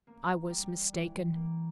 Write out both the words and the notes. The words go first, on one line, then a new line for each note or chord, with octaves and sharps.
I was mistaken.
A#3
G3
E3
A#3